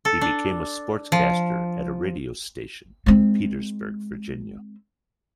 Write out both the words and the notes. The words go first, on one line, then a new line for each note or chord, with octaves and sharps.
He became a sportscaster at a radio station in Petersburg, Virginia.
A4
D4
F3
G#3 C4